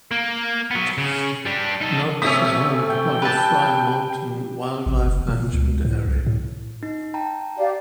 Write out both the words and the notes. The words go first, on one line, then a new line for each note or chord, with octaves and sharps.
Knox is home to part of Frye Mountain Wildlife Management Area.
A#3
F#3 B3
C#3
G3 D4
D#4 A4
C3 A3 C#4 D#6 E6 B6
G5
G4 B4 A5
A1
F#1
A#2
C#2
A2
C2
A2
D#4
G5 A5 A#5
G4 D5 F5